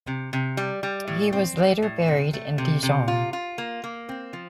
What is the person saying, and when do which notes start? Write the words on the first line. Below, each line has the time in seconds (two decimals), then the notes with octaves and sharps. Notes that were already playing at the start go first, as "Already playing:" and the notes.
He was later buried in Dijon.
0.07 C3
0.33 C3
0.57 G3
0.83 G3
1.08 A2
1.33 C4
1.58 G3
1.83 A2
2.08 C3
2.33 A3
2.58 C3
2.83 C3
3.08 F4
3.33 F4
3.58 A#3
3.84 A#3
4.09 C4
4.33 F3